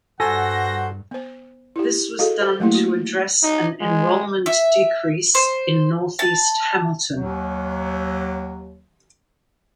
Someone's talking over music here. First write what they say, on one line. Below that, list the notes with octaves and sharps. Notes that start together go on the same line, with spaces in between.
This was done to address an enrollment decrease in Northeast Hamilton.
G2 F#4 A4 C5 F#5 G#5 A#6
B3 C5
E4 G4
F#4 G#4 A4 D#5 F5
G4 C5
F#3 A3 A#3 E4
F#4
D#4
G#3
E5
C5
A5
D#2 F#3